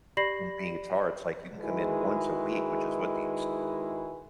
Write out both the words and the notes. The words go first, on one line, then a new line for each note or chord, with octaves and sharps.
and being guitar, it's, like, you can come in once a week, which is what these
G4 D5 B5 A#6 C7 F#7
D#3 G#3 E4 F#4 G#4 B4